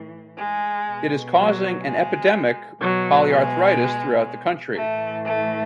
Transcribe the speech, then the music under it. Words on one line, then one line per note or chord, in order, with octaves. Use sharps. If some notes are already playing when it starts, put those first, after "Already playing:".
It is causing an epidemic polyarthritis throughout the country.
Already playing: A2 E3
G#3
B2
F#3
G#3
B2 F#3
G#3
A2 E3 A3
A3